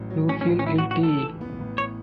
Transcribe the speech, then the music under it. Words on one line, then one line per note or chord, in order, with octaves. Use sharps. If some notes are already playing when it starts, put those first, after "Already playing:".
You feel guilty.
Already playing: A1 A2 F#3
F#3
A2 C#4
C#4
A1
C#4
A2 E4
F#4
A2
F#4
A1 A4
E3
B3
A1
C#5